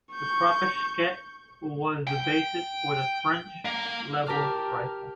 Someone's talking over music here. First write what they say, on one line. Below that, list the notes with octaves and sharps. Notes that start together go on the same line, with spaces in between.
The Kropatschek was the basis for the French Lebel Rifle.
C#6 G6
G5
A#3
G4 A#4 A5 D6 F6